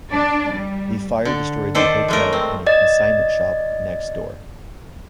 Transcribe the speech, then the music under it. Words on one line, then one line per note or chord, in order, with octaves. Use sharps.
The fire destroyed the hotel and a consignment shop next door.
D4 D5
G3
D3
D#3 A4 C5 D5
G#3 A3 A#4
C4
D5 D#5 A6